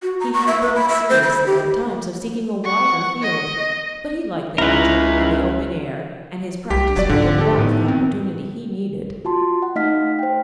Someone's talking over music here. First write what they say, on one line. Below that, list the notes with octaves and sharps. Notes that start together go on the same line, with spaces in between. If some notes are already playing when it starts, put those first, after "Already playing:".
He had thought seriously, at times, of seeking a wider field, but he liked the country and the open air, and his practice would give Ralph the opportunity he needed.
F#4
A#5
C#6
E5
B4
B5
E5
C5
B5
G4
F#5 C#6
D#5
C#2 D#4 E4 A#4 B4
C2 G4 B6
E1 F#3 D5
G#2 D3 F3
G4 A4
A2 D#3 B3
C4
F4 F#4 A5 C6
F#5
A3 D#4 D#5 F5 F6 B6
C5 G5